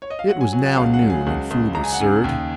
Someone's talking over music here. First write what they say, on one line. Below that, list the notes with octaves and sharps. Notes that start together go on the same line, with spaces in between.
It was now noon, and food was served.
C#5
D#5
F5
F#3 F#5
G#5
F#3 G#5
F#5
C#2 F5
F#5
F#3
G#5
C#2 F#5
C#2
C#2 A#5
G#5
F#5
C#3 G#5
D#2